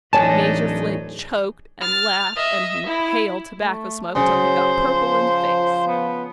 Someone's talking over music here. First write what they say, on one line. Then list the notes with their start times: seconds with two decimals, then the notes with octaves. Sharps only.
Major Flint choked and laughed and inhaled tobacco smoke till he got purple in the face.
0.13 D1 E3 D4 D#4 C#5 G#5 A5
1.81 F6 A6
2.36 D#5 E5
2.86 E4
3.55 A3
4.15 C#3 F#3 C5
4.78 F3
5.87 B3